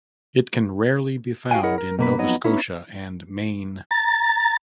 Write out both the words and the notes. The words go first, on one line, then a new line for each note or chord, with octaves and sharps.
It can rarely be found in Nova Scotia and Maine.
F#4 F5 G5 G#5
E4 G#4 A#4 C#5 D#5 F#5
A#4
B2 A#3 B4
F2 F#3 B3 D#4 C#5 D#5
B3 C#4 D#4 E4
A#5 A6